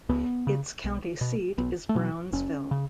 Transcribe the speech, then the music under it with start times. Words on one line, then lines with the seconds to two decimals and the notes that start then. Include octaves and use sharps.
Its county seat is Brownsville.
0.09 C#2 B3
0.47 C#3
0.84 B1
1.21 B2
1.58 B1 B3
1.89 A3
1.95 B2 F#3
2.33 F#1 C#4
2.71 C#3